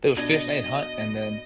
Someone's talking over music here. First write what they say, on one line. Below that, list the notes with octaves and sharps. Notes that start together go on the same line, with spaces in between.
they would fish and hunt and then
B2 D4 D#5 G#6